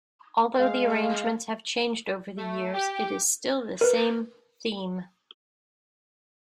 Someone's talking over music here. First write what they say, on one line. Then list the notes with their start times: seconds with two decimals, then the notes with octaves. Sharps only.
Although the arrangements have changed over the years, it is still the same theme.
0.59 G#3 F5
2.38 A3
2.74 G4
3.81 A#4 B4